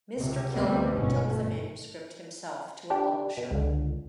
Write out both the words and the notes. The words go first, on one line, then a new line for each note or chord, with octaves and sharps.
Mr. Kilroy took the manuscript himself to a publisher.
C#2 C3
D2 G3 A3 B3 C4
G1 G#2 B2 C#4
A3
D4 G4
B2
C#2 D3